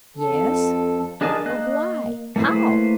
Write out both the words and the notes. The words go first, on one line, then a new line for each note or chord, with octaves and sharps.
"Yes, but why--how?"
F2 A4
D4 G#4 A#4 D#5 A5
A#3 D#5 F#6
A3 A#3 E4 B4 C5